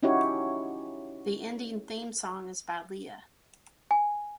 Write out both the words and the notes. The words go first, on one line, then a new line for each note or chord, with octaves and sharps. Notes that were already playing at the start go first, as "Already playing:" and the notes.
The ending theme song is by Lia.
C#4 D#4 E4 F#4 G4 C#5
G#5